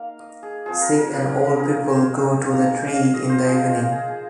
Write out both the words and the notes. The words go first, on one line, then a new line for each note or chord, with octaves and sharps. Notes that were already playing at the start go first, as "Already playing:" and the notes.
Sick and old people go to the tree in the evening.
Already playing: A#3 D#4 F5
D#5
G#4
F3 C4 F4 G#4
A#4
A#4
A#4
A#4
F3 A#3 F4 G#4
A#4
C5
D#5
C5
D#5
F5
A#3 D#4 A#5
G#5
G#5
F5
D#5
C5
F3 G#3 F4 G#4
F4
G#4
G#4